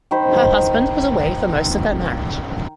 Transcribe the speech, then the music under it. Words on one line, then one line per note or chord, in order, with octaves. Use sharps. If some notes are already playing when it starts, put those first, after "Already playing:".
Her husband was away for most of their marriage.
D#3 C5 B5